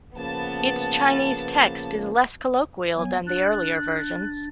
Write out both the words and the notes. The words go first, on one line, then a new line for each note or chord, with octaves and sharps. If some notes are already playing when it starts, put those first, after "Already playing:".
Its Chinese text is less colloquial than the earlier versions.
C#3 F3 A#3 B3 A5
F#3 B3 G#5
D4 F#6 A6